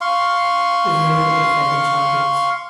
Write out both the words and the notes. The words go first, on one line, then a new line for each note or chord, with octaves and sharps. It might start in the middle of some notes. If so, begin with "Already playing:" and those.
Brazil were the defending champions.
F5 C6 C#6